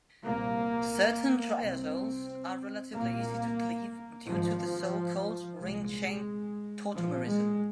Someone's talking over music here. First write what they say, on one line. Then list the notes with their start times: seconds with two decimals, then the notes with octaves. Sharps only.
Certain triazoles are relatively easy to cleave due to so-called ring-chain tautomerism.
0.24 C2 A#2 A#3
1.58 C2 C3 C4
2.93 C2 A#2 A#3
4.26 G#1 G#2 F3
5.60 C2 A#2 G#3
6.95 A#1 A#2 F3
7.28 G#3